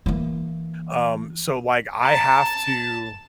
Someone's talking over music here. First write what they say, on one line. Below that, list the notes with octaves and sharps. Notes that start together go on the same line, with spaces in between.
Um, so, like, I have to
E3 A#3
A5 A#5